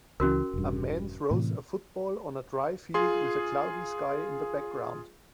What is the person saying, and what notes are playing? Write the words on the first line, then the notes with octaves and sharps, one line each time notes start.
A man throws a football on a dry field with a cloudy sky in the background.
C#2 E3 C#4 F#4 A#4
E1 G2
A2 C3 E3
F4 G#4 C6